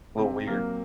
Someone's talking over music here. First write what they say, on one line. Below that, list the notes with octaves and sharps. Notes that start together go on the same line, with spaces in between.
little weird.
C3
F#3 A#3